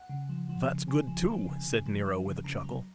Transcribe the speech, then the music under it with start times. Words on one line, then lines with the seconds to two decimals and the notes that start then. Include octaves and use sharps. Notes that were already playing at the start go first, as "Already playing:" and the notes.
"That's good too," said Nero, with a chuckle.
Already playing: F#5
0.09 C#3
0.29 F3
0.49 F3
0.69 C#3
0.88 C#3 G#5
1.07 F3
1.28 F3
1.46 C#3
1.67 C#3
1.86 F3
2.06 F3
2.26 C#3
2.44 C#3 A#5
2.64 F#3